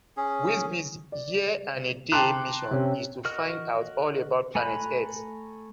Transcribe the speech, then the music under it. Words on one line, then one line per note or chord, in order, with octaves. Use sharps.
Wizbit's year-and-a-day mission is to find out all about planet Earth.
C#4 G#4
D5
G5 A5 A#5 C6 D6 F#6
C3 C4 C#4
F#4 A#4 D#5 F6
A3 G#5 A#5 B5 F#6